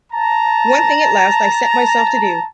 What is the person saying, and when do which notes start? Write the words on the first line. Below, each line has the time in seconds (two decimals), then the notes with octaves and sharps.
One thing at last I set myself to do.
0.13 A5 A#5